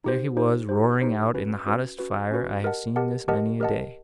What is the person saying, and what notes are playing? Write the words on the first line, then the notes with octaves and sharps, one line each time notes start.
There he was roaring out in the hottest fire I have seen this many a day!
D#4 G4 C5
D#4 G4 C5
D#4 G4 C5
D#4 G4 C5
C#4 F#4 B4
C#4 F#4 B4
C#4 F#4 B4
C#4 F#4 B4
G4 A#4 D#5 F#5 A5
G4 A#4 D#5 F#5 A5
G4 A#4 D#5 F#5 A5
G4 A#4 D#5 F#5 A5